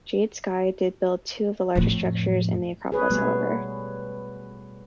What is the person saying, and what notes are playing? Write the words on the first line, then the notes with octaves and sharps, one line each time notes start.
"Jade Sky" did build two of the largest structures in the acropolis, however.
F2 A2
G#4 B4 C#5
B2 F#3 G3 A3 B3 C#5